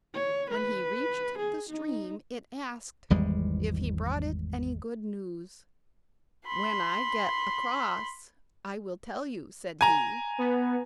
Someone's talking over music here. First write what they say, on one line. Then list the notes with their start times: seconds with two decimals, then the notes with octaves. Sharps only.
When he reached the stream it asked if he brought it any good news. 'When I get across I will tell you,' said he.
0.14 C#5
0.50 B4
1.38 G#4
1.69 D#4
3.10 G#1 E2 G3 G#3
6.47 B5 C6
9.81 G#5 A#5
10.38 B3